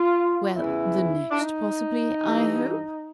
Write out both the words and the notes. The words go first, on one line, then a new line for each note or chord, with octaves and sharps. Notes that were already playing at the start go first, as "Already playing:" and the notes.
'Well, the next possibly, I hope?'
Already playing: F4
E2 C#3 E3 E4
D4
D#4
G2 E3